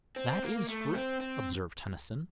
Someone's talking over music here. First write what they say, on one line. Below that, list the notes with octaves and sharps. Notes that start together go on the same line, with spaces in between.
"That is true," observed Tennyson.
C4
A#3
A3
C4
C4